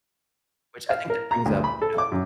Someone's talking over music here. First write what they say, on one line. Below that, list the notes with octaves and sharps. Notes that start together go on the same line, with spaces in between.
which I think that brings up, you know,
F5
A#4
A#5
D2
B5
A4
D6
F#2